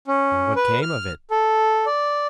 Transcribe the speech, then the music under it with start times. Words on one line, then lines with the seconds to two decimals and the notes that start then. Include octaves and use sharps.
"And what came of it?"
0.08 C#4
0.56 B4
0.82 F6
1.31 A4
1.86 D5